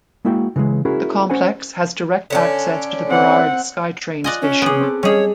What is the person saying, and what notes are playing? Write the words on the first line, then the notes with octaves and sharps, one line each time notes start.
The complex has direct access to the Burrard SkyTrain station.
G#3 A#3 E4 F#4 E5 G5
C#3 E3 F#3 G#3
C#4 E4 F#4 G#4 A#4
C#4 C5 F#5 G#5
D3 C#4 D4
C4 F#5
F4 D5 D#5 G#5 F#6
C#4
B3 G#4 D6 F#6
C4 A4
G3 C#4 G#4 C#5 D#5 E7